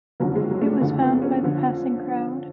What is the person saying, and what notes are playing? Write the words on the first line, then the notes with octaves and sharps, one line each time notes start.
It was found by the passing crowd.
F#1 F2 D3 F#3
G#3
F#3
A3
G#3
F#1 F2 D3 A3
B3
C#4
D3 F3